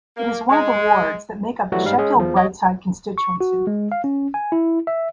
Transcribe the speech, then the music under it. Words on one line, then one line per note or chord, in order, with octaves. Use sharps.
It is one of the wards that make up the Sheffield Brightside constituency.
A#3
G#3
E3 F#3 G3 A3 F#4
G#2 G3 D#4 F5
G#3 C#4 G#4
E2 F3
C#5 D#5
C#6
F#4
G#3
F5
C#4
G#5
E4
E5